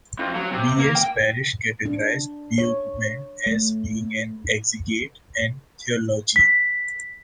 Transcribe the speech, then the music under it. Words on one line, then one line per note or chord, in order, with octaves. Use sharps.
V. S. Parrish categorized Brueggemann as being an exegete and theologian.
F2
F#3
C3
A#3
G5
D4
C#5
A3
B6